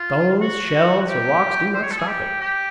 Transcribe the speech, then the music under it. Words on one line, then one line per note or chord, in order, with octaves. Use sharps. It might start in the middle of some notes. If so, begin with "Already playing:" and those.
Stones, shells, or rocks do not stop it.
Already playing: F4
F#4
G4
C5
C#5
A4
G#4
G4
G4